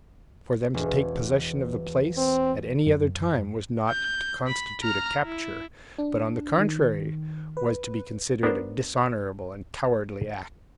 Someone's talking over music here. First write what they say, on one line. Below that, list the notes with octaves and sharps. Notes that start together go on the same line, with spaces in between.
For them to take possession of the place at any other time was not to constitute a capture, but on the contrary was to be considered a dishonorable and cowardly act.
E1
C4
F#2
G6
B5
A#5 F6
E4
D4
D#3
B4
B3 D4 F#4 A#4 C5